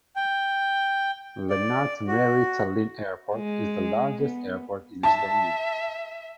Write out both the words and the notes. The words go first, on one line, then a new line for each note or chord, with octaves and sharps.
Lennart Meri Tallinn Airport is the largest airport in Estonia.
G5
D5
F#4
G#3
B3
E5 A5